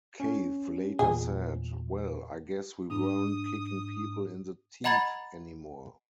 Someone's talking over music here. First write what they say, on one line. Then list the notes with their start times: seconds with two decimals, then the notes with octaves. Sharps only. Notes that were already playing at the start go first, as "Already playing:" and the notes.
Cave later said, Well, I guess we weren't kicking people in the teeth anymore.
0.20 C#4
0.99 E2 A#2 G#4
2.90 G#2 D4 D#6
4.84 D#5 F#5 A#5 B5 G#6 A6